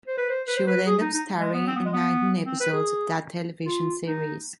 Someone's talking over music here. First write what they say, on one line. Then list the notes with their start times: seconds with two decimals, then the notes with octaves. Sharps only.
She would end up starring in nineteen episodes of that television series.
0.07 C5
0.18 B4
0.29 C5
0.48 B4
0.57 C5
0.67 B4
0.86 G#4
1.01 D#4
1.14 D#4
1.40 G#3
1.54 B3
1.67 C4
1.76 B3
1.85 G#3
1.93 B3
2.46 C4
2.60 B4
2.73 G#4
3.66 F4
4.06 D#4